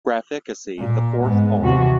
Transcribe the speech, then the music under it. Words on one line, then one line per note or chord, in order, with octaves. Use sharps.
Graphicacy; The fourth 'R'?
A#2
G#2 B3
D#2 C3 E3 F#4